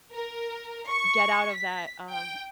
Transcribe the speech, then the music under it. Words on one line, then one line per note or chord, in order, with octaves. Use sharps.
get out of that, um,
A#4
C#6
B6
G5